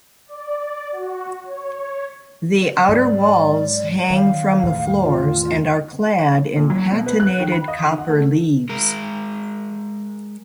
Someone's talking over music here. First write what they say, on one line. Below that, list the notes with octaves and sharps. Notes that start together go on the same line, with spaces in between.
The outer walls hang from the floors and are clad in patinated copper leaves.
D5
F#4
C#5
G#2 F#3 D5
D#3 F#3 F5
E2 A2 D#3
F4
A#2
F#3
B2
B4
F#6
D#3
B5
D#5
D#3
F#5
A3
G#3 A#4